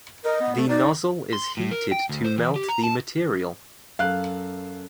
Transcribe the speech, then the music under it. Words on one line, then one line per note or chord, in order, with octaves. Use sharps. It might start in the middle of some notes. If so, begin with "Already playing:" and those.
The nozzle is heated to melt the material.
A#4 D#5
B3
A3
D#4 D5
C6
A2
A#4
G5
D2
C5
E3
G4
A#5
A5
F#2 A4 F5 F#6